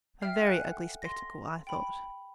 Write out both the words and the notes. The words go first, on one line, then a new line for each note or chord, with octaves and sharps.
A very ugly spectacle, I thought.
E5 G5 F6 C7
A4 F5 F#5 G#5 F#6
C6 A#6
G5 B5